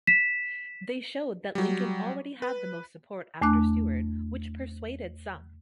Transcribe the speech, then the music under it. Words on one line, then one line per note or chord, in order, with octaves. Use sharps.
They showed that Lincoln already had the most support after Seward, which persuaded some.
B6 E7
F#3 G3
B4
E2 A3 D4 D6 F#6